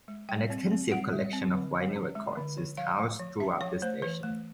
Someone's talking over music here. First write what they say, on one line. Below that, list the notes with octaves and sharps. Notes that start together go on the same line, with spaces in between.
An extensive collection of vinyl records is housed throughout the station.
G#3
G3 G5
C4
C4
G3 F#5
G3
C4
D3
F3
C#4
G#3
D3
F3
F3 F5
A3
F3
C#4 E5
F3 C#5
A3 C5
E3 B4
A3